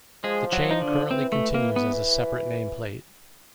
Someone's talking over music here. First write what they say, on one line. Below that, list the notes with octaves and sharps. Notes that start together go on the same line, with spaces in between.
The chain currently continues as a separate nameplate.
F3 G#3 G#4
F#3 F#4
D#4
D3 D4
E3 C4
A3
A#3
B3